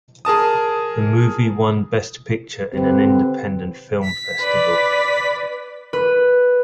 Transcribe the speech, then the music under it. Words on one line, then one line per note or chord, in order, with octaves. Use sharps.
The movie won "Best Picture" in an independent film festival.
G#4 A#4 A5 D#6
D3 C4 G4 B4
B6
B4 D5
B4